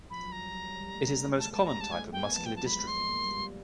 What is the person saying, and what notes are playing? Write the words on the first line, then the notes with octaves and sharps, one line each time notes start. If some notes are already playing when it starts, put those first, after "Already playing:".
It is the most common type of muscular dystrophy.
F3 B5
F#3
A#5
G3
F#3
G3
G3
A3
A#3
G#3
A3 A5
G#3 A5
G3 A#5
G#3 A5
A3 G#5
A#3 G5
B3 G#5
F3 A5
G5
F#3 A5
G#3 B5
G#3
C6
A#3
G3
G3